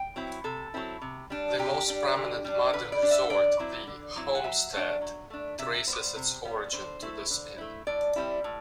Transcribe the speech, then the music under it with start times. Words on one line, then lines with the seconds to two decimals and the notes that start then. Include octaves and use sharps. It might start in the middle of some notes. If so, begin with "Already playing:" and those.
The most prominent modern resort, The Homestead, traces its origin to this inn.
Already playing: G5
0.16 F#3 C4 E4
0.44 C3 A4
0.74 F#3 C4 E4
1.02 C3
1.30 G3 D4
1.58 C3 G4
1.88 G3 D4
2.16 D3
2.44 G3 D4
2.73 D3 B4
2.92 D5
3.02 G3 D4
3.11 E5
3.30 D3 D5
3.59 F#3 C4 E4
3.87 D3
4.16 F#3 C4 E4
4.35 F#5
4.44 F#3 E5
4.73 A3 D4
5.01 F#3
5.30 A3 D4
5.59 C3 E5
5.87 G3 B3 C5
6.16 C3
6.45 G3 B3
6.73 D3 C5
7.02 A3 E4
7.30 D3
7.58 A3 E4
7.87 A2 D5
8.16 G3 C4 E4
8.44 A2